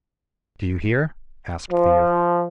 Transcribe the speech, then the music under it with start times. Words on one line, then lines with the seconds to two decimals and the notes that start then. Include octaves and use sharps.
'Do you hear?' asked the youth.
1.71 F3